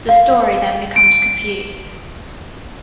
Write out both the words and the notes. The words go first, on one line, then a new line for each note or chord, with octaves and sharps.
The story then becomes confused.
F5
D7